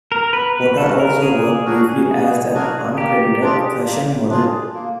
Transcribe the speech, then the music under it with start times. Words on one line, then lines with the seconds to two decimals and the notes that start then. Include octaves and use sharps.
Potter also worked briefly as an uncredited fashion model.
0.12 A#4
0.33 B3 B4
0.55 B4
0.77 D4 F#4 A4 A#4 C#5
1.00 A#4
1.22 B3 G#4
1.65 D4 F#4 A#4 C#5
2.10 B3
2.54 D4 F#4 A#4 C#5
2.98 A#3 G4
3.41 D4 F4 G#4
3.85 A#3
4.29 D4 F4 G#4
4.74 A#3